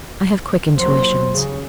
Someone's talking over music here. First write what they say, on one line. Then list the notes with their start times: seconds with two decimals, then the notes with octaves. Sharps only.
I have quick intuitions.
0.78 D#2 F#3 C5
1.33 C#3